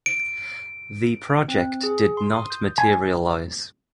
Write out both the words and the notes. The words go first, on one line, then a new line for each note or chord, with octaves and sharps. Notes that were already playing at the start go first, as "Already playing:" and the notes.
The project did not materialise.
D7
C4
G#4
C6
D#6
G6
G#5